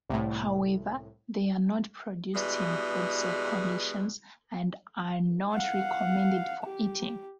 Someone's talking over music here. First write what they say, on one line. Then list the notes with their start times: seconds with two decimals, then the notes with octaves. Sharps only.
However, they are not produced in food-safe conditions, and are not recommended for eating.
0.10 C2 A2
2.35 B2 E3 G3 G#3
5.53 F5 F#5
6.64 G4